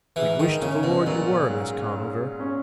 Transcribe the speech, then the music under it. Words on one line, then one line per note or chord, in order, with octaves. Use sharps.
But we wish to the Lord you were, Miss Conover.
G#2 E3
D#3
C#3 C#4
B2
A#2 F#3
G#2
G#2
C#4